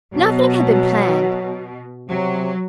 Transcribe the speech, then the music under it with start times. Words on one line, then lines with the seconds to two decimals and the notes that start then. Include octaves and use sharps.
Nothing had been planned.
0.13 B2 F#3
2.08 C3 F#3